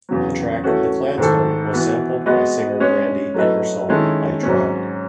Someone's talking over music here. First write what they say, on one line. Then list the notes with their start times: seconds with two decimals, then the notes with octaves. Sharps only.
The track "The Clansman" was sampled by singer Brandy in her song "I Tried".
0.09 E2 C#3 F#3
0.64 E3 A3 C#4 F#4
1.18 G#2 D#3 A3 E4 A4
1.72 E3 B3 F#4
2.26 G#3 B3 F#4 B4 D#5
2.80 G#3 C#4 G#4 C#5
3.34 F#3 A3 E4 B4 D#5
3.88 D#3 G#3 C#4 E4 A4
4.43 G#2 F#3 C#4